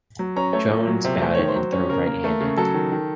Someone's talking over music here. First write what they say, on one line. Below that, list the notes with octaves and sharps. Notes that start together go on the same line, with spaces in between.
Jones batted and threw right-handed.
F#3
C#4 A#5
A3 C#5
A#2
F#3
C3
A3 C5
D#3 C#5
C5
F#3
C#4
C#3 A#4
A#3
A3
C#3
F#3 A4
D#3
D#3